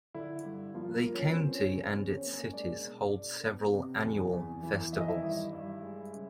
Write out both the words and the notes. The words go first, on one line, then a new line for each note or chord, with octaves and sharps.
The County and its Cities hold several annual festivals.
D3 E4
G2
F3 A#3 F4
A#3 A#4
F3
C#4 C#5
B4
F#3 C4 C5
C#4 C#5
C#3
C#4 C#5
C4 D4 C5
C#4 C#5
A#3
C#4 C#5
G#3 D4 D5
B2
D4
B3
C3
E2
E2
E3
D#3 E5
D#5
E4 E5
G2
G2
G#3
C#3